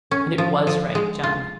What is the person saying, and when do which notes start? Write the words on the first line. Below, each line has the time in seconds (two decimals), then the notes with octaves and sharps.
And it WAS right, John!
0.11 C#4
0.38 F3
0.67 F3
0.95 G#3
1.23 F4